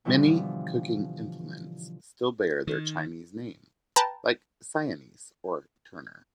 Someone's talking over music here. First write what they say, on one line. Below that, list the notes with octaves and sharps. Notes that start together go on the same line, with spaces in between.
Many cooking implements still bear their Chinese name, like sianse or turner.
B2 D3 E3 F3 G3 F4
D#3
B4 G5 A5 A#5